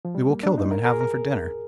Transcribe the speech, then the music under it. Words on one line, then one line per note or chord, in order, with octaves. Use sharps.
We will kill them and have them for dinner.'
F3
G3
A#3
D4
D#4
A#4
A#4
G#4
A#4